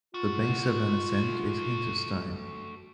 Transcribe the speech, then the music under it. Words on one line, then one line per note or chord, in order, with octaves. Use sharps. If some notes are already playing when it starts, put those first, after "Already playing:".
The base of an ascent is Hinterstein.
A3 F4 F#4